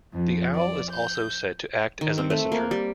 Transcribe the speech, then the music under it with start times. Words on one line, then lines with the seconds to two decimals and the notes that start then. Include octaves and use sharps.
The owl is also said to act as a messenger.
0.13 F2
0.55 D5
0.92 G6
2.01 D#3
2.18 C4
2.30 A3
2.52 A#3
2.71 G3